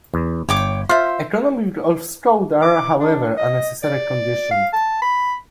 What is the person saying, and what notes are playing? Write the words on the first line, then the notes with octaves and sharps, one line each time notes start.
Economies of scope are, however, a necessary condition.
E2
G1 C#5 G5 D6
F4 C5 E5
D6
D4
D#5
D5
F5
A5
B5